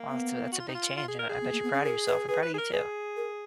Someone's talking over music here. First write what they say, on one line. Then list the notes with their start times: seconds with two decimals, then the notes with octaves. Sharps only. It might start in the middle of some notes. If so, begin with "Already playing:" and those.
Well, that's a that's a big change. I I bet you're proud of yourself. I'm proud of you too.
Already playing: A#3
0.09 B3
0.52 F#4
0.60 F4
0.68 D#4
0.75 F4
0.97 F4
1.08 G#4
1.19 A#4
1.29 G#4
1.41 B3
1.52 A#3
1.63 B3
1.73 C#4
1.85 A#4
2.07 B4
2.28 G#4 B4
2.43 B4
2.54 G#4
2.58 A#4
2.72 G#4 B4
3.16 A#4